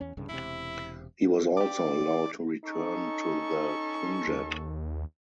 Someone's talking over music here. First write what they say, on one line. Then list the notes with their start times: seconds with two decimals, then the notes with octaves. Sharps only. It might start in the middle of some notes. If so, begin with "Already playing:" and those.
He was also allowed to return to the Punjab.
0.01 E2 C#4
0.17 C2 G2 C#3
0.29 E1 C3 E4
1.57 G4 D5 D6
2.64 C#4 D#4 A4 C#6
4.28 D#2